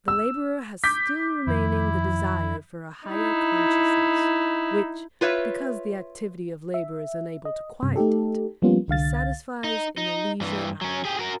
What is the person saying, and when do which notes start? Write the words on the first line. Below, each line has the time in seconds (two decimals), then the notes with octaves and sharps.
The laborer has still remaining the desire for a "higher consciousness," which, because the activity of labor is unable to quiet it, he satisfies in a leisure hour.
0.08 E6
0.84 D6 G6 B6
1.47 F2 D#3 E4
3.06 D#4 E4
5.21 F4 B4 C#5 E5
6.74 E5
7.45 D#5
7.83 G2 C3
7.96 A3 D#4 G4 A4
8.62 F3 G3 A#3 B3 C#4 F4
8.88 C2 D3 F5 A6
9.64 D#4
9.97 D#4
10.41 G2 E3
10.81 F#3 C#4
11.05 G4 G#4
11.19 F#4 A#4